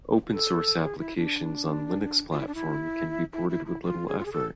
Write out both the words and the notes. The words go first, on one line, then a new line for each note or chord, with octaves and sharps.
Open source applications on Linux Platform can be ported with little effort.
A4
G#4
E4
D4
F4
E4
D4
E4
E4
E4
E4
F4
G#4
F4
G#4
A4